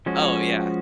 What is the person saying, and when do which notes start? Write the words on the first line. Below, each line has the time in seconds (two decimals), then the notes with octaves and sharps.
Oh, yeah.
0.06 F3 G#3 C#4 F#4